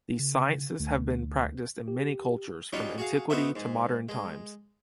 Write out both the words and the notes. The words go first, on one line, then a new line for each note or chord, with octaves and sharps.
These sciences have been practiced in many cultures from Antiquity to modern times.
C#3
D2
G4
F#3 G3 C#4 D#4 F4
F#4 G#4 F5
B3 D#4 F#4 C5 E5
G#2
G#3